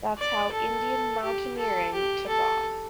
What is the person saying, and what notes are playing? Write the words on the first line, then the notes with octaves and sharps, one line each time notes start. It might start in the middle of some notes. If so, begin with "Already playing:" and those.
That’s how Indian mountaineering took off.
D5
A4
G4
A4
G4
A4